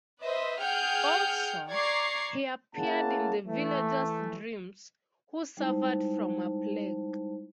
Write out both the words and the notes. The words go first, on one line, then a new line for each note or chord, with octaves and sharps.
Also, he appeared in the villagers dreams who suffered from a plague.
B4 C5 D#5 E5
G#4 F#5 G5 F6 G6
D5 A#5 C#6 D6 G#6 C7
A#3 C#4 E4 G#4 F#5 A5
E3 A3
G3 G#3 D#4 E4 C5 A5